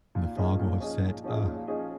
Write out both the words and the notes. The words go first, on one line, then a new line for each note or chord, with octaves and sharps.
And the fog will have set, ugh.
A#2
F3 C#4 G#4 D#5
A#2
F3 C#4 G#4 D#5
A#2
F3 C#4 G#4 D#5
A#2
F3 C#4 G#4 D#5